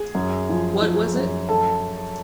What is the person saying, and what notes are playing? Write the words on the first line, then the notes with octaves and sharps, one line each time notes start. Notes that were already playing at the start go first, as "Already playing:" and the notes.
What was it?
Already playing: G#4
F#2
F3
F3
F#2
A4 A5